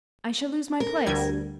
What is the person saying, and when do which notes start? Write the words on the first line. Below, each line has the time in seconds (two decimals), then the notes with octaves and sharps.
'I shall lose my place.
0.80 A#4
1.07 D2 G3 G#6